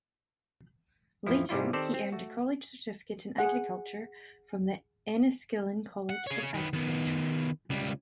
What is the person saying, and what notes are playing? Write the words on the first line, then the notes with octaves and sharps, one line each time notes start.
Later, he earned a College Certificate in Agriculture from the Enniskillen College of Agriculture.
A1 F2 F3 E4
G#2 C3 G3 E4 F4
D#3 C4 G4 A4 C5 D5
C4
A3 F#4
G#4 F#5
F#5
G#4 C#5
D#3 B3
D#3 B3
C#2 G3